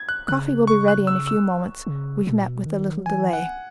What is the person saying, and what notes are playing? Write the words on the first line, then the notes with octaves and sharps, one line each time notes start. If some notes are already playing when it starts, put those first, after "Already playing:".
"Coffee will be ready in a few moments. We've met with a little delay."
Already playing: G#6
F#6
C#3 F#6
C#6
F#6
E6
E6
C#3
B2
A#2
B2
D#3
F#3
E3 G#5
F#5